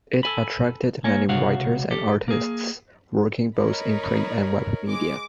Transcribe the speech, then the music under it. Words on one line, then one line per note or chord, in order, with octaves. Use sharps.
It attracted many writers and artists, working both in print and web media.
A4 G#5 B5
A#3 C#5 G#5
C#2 C3 F#4 C#5 F5 F#5
G4 A4
A#3 G#4
D#4 A#4 C#5 B5
G#3 D6